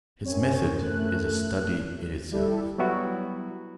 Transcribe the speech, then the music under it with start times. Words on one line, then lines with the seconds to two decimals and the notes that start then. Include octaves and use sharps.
His method is a study in itself.
0.23 F#2 C4 C#5 G#5
0.82 A3 F#6
2.32 G3 E4 G4 A4
2.78 F#3 G3 B3 E4 F#4